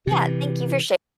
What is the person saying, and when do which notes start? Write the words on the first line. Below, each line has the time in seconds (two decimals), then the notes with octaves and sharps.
Yeah, thank you for shar
0.07 C3 E3